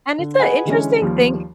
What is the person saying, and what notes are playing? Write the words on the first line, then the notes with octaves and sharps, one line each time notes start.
and it's an interesting thing
D3
G#4 B4 D#5 F#5 G#5
D3 E3 G#3 C#4
D#2 F3 G3